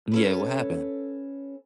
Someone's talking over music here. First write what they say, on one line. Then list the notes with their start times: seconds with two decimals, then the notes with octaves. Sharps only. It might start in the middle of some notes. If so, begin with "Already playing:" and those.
Yeah. What happened?
0.12 C#4 A4 B4